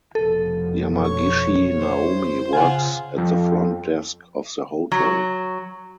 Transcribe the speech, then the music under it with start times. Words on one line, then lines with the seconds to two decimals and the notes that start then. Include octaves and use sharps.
Yamagishi Naomi works at the front desk of the hotel.
0.15 F1 B2 F3 A4
1.04 C#5 C#6
1.79 C5
2.53 C#3 F4 F#5 G#5
3.18 F2
4.92 F#3